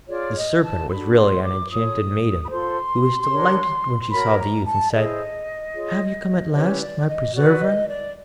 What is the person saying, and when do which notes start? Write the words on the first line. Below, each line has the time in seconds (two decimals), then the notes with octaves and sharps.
The Serpent was really an enchanted maiden, who was delighted when she saw the youth, and said, 'Have you come at last, my preserver?
0.08 F4 G#4 C#5 D5
0.35 D#5
0.62 A5
0.89 D4 F#4 A4 B5
1.16 C6
1.42 D6
1.69 F4 A4 C#5 D#6
2.45 B5
2.50 F4 A4 C5 C6
3.31 D4 G4 A#4 C#5
4.11 F#4 A#4 C#5 B5
4.39 A#5
4.65 A5
4.92 E4 G#4 C5 D#5
5.73 F4 G#4 C#5
6.53 C#4 E4 G4 B4 C#5
6.80 D5
7.07 D#5
7.34 F#4 B4 D5
7.61 D#5
7.88 D5